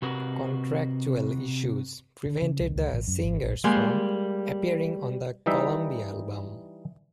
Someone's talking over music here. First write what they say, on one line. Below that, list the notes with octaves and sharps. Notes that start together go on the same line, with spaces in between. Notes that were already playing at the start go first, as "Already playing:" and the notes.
Contractual issues prevented the singers from appearing on the Columbia album.
C3 F#4 A#4 B4
D3
C#3
C2
C#2
A1
F#2
G#1
A#1
G3 G#3 A#3
E3 G3 D#4 E5